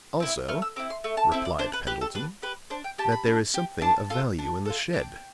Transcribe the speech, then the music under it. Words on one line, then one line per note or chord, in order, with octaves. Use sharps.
"Also," replied Pendleton, "that there is something of value in the shed."
C4 E4
A3 F6
E6
C4 E4 D6
C6
A3
A5
C4 E4 E5
D5
D4 C5
B4
G4 B4
A4
D4 B4
G4 B4
D4 C5
G5
G4 A5
B5
D4
G4
D4 A5
F4 A4
D4
F4 A4
D4 G5